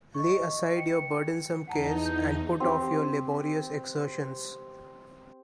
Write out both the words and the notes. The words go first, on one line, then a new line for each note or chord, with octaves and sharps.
Lay aside your burdensome cares and put off your laborious exertions.
D#5 C#6
G5 C#7
E2 D#4 F#5 A5 A#5
A#5 G6
C4 G4